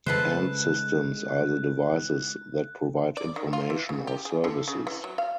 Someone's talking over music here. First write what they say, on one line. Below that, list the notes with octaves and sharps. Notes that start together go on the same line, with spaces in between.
End systems are the devices that provide information or services.
C#3 G#3 A4 B4 C5 A5 F#6
D5
D#3
F4
E3
C#3
G4
G#4
D3
C#3
E3
F#3
F5